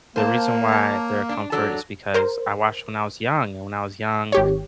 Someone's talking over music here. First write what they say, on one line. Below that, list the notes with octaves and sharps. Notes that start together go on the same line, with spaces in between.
the reason why they're a comfort is because I watched when I was young, and when I was young,
A#3 C5 A5
C#5 A5
D4
F#3 D4 A4
A#4 C5
G#1 G4 C#5